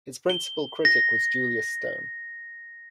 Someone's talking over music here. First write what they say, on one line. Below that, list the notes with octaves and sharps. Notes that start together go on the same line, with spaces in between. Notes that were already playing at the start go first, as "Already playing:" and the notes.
His principal critic was Julius Stone.
G7
A#6